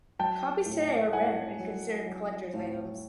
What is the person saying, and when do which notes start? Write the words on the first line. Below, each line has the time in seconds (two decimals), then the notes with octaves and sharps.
Copies today are rare and considered collector's items.
0.19 F#3 G5 A5
0.66 A2
1.13 A2 F#5 G#5
1.60 F#3
2.06 F#3
2.54 A2